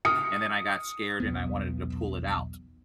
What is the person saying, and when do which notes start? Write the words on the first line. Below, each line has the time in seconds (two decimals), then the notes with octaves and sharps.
and then I got scared and I wanted to pull it out,
0.05 D#6 F6 C#7
1.20 B1 E2 B3